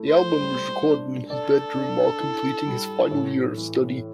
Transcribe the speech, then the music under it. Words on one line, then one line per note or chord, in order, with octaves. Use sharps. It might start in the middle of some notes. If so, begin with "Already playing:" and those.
The album was recorded in his bedroom while completing his final year of study.
Already playing: A3 E4
C5
G3
D4
A4 D5
D4
E4
G3
A2
E3